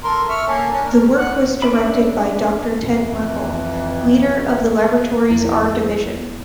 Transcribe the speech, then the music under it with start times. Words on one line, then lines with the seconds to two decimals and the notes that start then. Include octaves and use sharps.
The work was directed by Doctor Ted Merkle, leader of the laboratory's R-Division.
0.04 A4 A#4 C6
0.29 E5 C#6 F6
0.47 A#3 C#4 A4
0.71 C#4 D4 A#5
0.85 A#4
1.16 F#5
1.62 C#4 D4 E5 B5
2.81 F2 E3
5.31 F2 E4